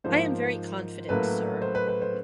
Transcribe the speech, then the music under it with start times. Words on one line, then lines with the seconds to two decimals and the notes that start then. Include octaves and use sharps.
I am very confident, Sir.
0.04 G#2 F3 A#3 C5
1.09 A2 F#3 A#3 B4
1.62 C5
1.75 B4
1.88 B4
2.02 C5